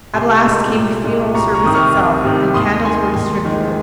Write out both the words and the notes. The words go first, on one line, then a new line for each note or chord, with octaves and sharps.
At last came the funeral service itself and candles were distributed.
C2 G#5 C6
A#2 G#3
C2
A#2 G#3
C2 A#5 C#6
A#5 C#6
C3 D#3 D#6
C#6 F6
C2
C3 D#3
D#2 C6 D#6
D#3 G#3 G#5 C6
D#2
D#3 G#3